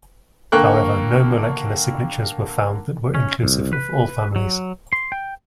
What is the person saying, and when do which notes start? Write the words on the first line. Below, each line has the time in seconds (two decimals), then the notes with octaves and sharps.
However, no molecular signatures were found that were inclusive of all families.
0.52 D3 A#3 A#4 G5 C#6 F#6
3.15 C#4
3.43 C2
3.73 B4
4.36 F#3
4.93 C6
5.12 G5